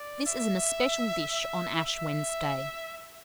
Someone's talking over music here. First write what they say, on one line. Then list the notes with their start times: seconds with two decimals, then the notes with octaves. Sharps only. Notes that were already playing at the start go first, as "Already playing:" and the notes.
This is an especial dish on Ash Wednesday.
Already playing: D5
0.26 E5
1.87 E5